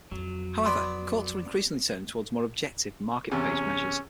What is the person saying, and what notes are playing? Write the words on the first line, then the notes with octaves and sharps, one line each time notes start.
However, courts are increasingly turning toward more objective, market-based measures.
F2 F#3
B3 D5 B5 C6
E2 C3 C#4